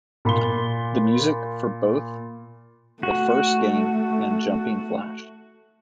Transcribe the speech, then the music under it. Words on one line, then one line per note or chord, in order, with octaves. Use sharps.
The music for both the first game and Jumping Flash!
A#2 B5 C6 G7
A3 F#4